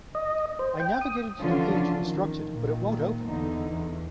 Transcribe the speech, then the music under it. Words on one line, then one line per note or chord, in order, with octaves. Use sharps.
I navigated to the page you instructed, but it won't open.
D#5
C5
G5
D#6
D3 E3 F3 C#4 D4 F4
D#3
A#2 D#3
E2 D3 D#4
E2